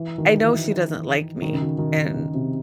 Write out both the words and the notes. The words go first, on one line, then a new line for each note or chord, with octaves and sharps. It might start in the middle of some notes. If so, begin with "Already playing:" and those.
I know she doesn't like me, and
Already playing: E3
D#3
E3
D#3
C#3
D#3
D#3
C#3
C3